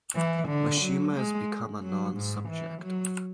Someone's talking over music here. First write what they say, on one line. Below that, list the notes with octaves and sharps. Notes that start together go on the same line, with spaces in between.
Mishima has become a non-subject.
E3
D3
F#3
G#3
F#3
G#2
E3
F#3